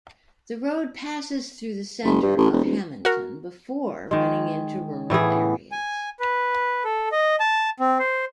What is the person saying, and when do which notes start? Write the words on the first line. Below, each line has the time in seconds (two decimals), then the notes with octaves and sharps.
The road passes through the center of Hammonton before running into rural areas.
2.04 F#1
2.22 G2
2.37 A1
2.51 E1
2.64 D#1
3.05 F#4 A#4
4.11 D#3 G#3
5.10 A2 E3 B3 G#4
5.72 G#5
6.20 B4
6.84 A4
7.12 D#5
7.40 A5
7.80 C4
7.99 C5